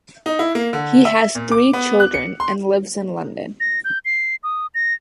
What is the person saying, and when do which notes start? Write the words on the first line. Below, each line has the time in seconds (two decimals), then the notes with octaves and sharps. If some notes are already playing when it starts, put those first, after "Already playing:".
He has three children and lives in London.
0.26 D#4
0.39 E4
0.55 A#3
0.73 D3
1.05 E5
1.35 A#2
1.52 D6
1.73 B3
2.00 F#6
2.14 C#7
2.40 C6
3.60 A#6
3.85 G6
4.05 C7
4.43 D#6
4.74 A#6